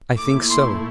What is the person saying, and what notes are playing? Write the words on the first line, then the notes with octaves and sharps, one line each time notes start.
"I think so."
A#2 A3 E4 D6
C6